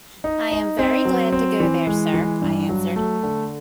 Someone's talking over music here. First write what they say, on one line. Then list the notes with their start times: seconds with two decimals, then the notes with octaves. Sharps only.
"I am very glad to go there, sir," I answered.
0.24 D#4
0.51 D#4
0.79 C4
1.05 F#3
1.33 C4
1.60 E3
1.87 G#3
2.14 E3
2.42 G2
2.69 F#3
2.96 A3
3.23 D3